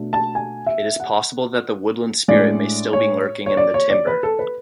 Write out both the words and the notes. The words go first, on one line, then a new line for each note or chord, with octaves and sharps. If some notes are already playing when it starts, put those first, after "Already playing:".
It is possible that the woodland spirit may still be lurking in the timber.
Already playing: B2 A3 D4
A5
G#5
E5
F#5
A2 G#3 D4 D5
C#5
C#5
D5
C#5
D5
B4
A4
B4